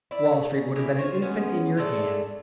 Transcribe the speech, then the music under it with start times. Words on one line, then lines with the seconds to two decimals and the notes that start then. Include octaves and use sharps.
"Wall Street would have been an infant in your hands."
0.11 E4 D5
0.32 C#3
0.75 E4 G4 G#4 A#4
0.99 F4 C5 C#5
1.22 G#3 B3 C#4
1.77 G#3 A3 A4 D5